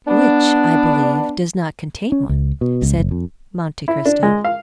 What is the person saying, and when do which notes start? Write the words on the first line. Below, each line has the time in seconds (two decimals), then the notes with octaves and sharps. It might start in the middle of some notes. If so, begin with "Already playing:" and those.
"Which, I believe, does not contain one?" said Monte Cristo.
0.07 B3 D4
2.12 C#4
2.29 C#2
2.61 B2
2.82 C#2
2.98 F#1
3.11 F2
3.88 E4
4.06 D4
4.23 G#3
4.44 F5